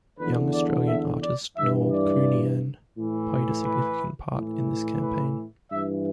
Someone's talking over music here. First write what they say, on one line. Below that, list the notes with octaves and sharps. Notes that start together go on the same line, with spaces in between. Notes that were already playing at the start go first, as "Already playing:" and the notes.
Young Australian artist Noel Counihan played a significant part in this campaign.
E2 D3 B4
D5
E5
D5
G2 E3 E5
D5
A2 E3
B4
A2 E3
B4
G2 E3 E5